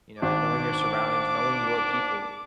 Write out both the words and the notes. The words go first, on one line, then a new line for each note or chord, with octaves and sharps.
you know, y knowing your surroundings, knowing your people,
G#1 D4 D6